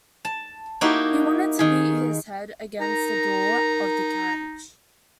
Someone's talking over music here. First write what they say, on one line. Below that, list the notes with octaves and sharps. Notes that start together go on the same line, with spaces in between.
He wanted to beat his head against the door of the carriage.
A5
A#3 D#4 E4 F#4 G4
D#3 G#4
D#4 A#4 A#5